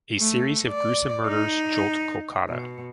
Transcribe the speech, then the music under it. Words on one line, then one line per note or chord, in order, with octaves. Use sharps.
A series of gruesome murders jolt Kolkata.
A3
D5
D#4
B2